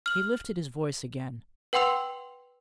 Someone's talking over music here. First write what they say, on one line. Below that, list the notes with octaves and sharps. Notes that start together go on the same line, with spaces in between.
He lifted his voice again.
F6 F#7
B4 F#5 G5 C6 E6 F7